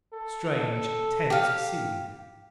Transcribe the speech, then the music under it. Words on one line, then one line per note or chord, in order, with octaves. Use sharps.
Strange, tense scene.
A4
G4 F5